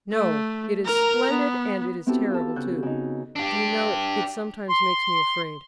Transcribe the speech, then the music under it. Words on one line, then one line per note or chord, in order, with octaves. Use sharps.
"No, it is splendid, and it is terrible, too. Do you know, it sometimes makes me afraid."
A3
A#4 A#5
B3
B3 C4 E4 F#4 G4 A4
F4 G4 A4
C#3 F#4 F#6 G6
C#3 D#4
D4 G4
C6